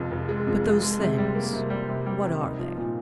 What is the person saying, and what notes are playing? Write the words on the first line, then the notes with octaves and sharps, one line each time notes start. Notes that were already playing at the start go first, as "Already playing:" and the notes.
"But those things--what are they?"
Already playing: F1 F2 G#3
F1
G#3
F2
F2
G#3
C3
G3
A#3
C3
G3
C3
G3
C3
D#4
F3
A#2